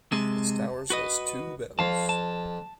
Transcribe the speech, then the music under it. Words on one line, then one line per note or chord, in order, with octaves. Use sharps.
Its tower has two bells.
C3 G#3 A5
F#4 B4 D#5
F2 F5 A5
A5